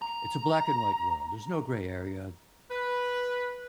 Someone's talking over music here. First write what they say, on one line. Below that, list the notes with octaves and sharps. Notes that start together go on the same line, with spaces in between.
it's a black and white world, there's no gray area,
A#5
B4